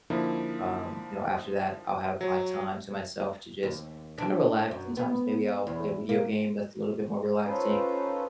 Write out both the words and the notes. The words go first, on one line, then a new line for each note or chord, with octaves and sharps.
um, you know, after that I'll have my time to myself to just kinda relax, sometimes, maybe I'll play a video game that's a little bit more relaxing,
D3 F3 A#3 D#4 E4
F#3
D#2
D4
F#2
B3
E2
A#3
C#4 D#4 F4 A4 B4 C5